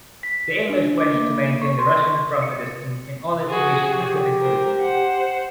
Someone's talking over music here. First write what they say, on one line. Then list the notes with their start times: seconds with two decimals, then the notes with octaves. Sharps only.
The English wish to maintain the Russian from a distance in order to reach a pacific solution.
0.23 B6
0.70 D4
0.98 D6
1.15 A#3
1.62 C#6
1.79 C6
2.42 C#7
3.49 F3 F#4 G#4
3.87 G4
4.39 A#4 C5
4.80 C5 F#5